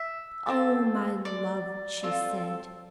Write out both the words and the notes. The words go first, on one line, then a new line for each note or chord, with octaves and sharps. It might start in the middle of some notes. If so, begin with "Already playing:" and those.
"Oh, my love!" she said.
Already playing: E5
C4 F4 A4
D5
C4 F4 A4